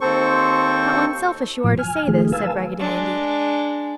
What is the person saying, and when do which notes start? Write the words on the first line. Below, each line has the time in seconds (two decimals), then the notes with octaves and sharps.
"How unselfish you are to say this!" said Raggedy Andy.
0.01 D#2 C4 A4 C5 C#6
1.64 A2 F3
1.79 G#5 F6
2.08 D#3 F3 A3 G#4
2.32 B4 F5 G#5 A5 E6
2.79 G#3 D4